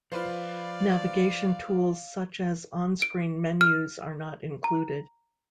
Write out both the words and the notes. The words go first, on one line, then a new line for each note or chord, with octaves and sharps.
Navigation tools such as on-screen menus are not included.
F3 F4 B4 C5 D5 F5
D7
F6
A#5